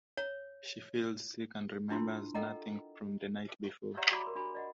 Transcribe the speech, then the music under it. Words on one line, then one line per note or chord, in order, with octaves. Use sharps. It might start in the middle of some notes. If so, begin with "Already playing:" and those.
She feels sick and remembers nothing from the night before.
C#5
D4 E4 F4 A#4 C6
A4 A#4 D#5 F#5 G5 A#5
G4 C#5 D5 E5 F#5 A#5
F#4 G#4 D5 A#5 B5 D6
A#4 C6
D4 F#4 B5
D5 D#5 F#5